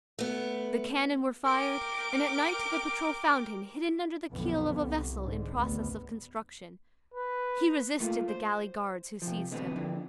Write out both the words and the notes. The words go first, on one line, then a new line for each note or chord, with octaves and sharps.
The cannon were fired, and at night the patrol found him hidden under the keel of a vessel in process of construction; he resisted the galley guards who seized him.
A3 B3
A#4 G5 D6
B1 F2 D3 B3
C2
G#2 D3
G#1 D2 B3
B4
A3 A#3 F4
C5
C3 F3
B2 D3 E3 B3 C4
F2 D3 E3